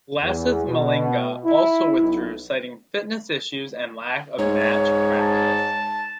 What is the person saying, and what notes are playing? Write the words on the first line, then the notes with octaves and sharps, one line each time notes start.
Lasith Malinga also withdrew citing fitness issues and lack of match practice.
E2
B2
E4
B1
G#2 C#5
A5